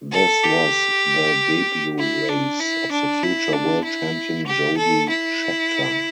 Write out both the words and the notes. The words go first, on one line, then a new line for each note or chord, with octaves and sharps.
This was the debut race of the future world champion Jody Scheckter.
A4
G4
E4
D4
E4
D4
E4
D4
E4
G4
A4
E4